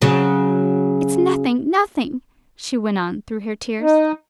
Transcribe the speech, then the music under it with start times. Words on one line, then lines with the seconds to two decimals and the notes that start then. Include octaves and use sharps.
"It's nothing, nothing!" she went on through her tears.
0.02 C#3 F#3
3.82 D#4